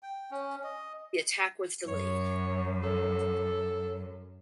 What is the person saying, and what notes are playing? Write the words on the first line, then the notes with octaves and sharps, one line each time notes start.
The attack was delayed.
G5
C#4
D#5
F#2 C#5
A4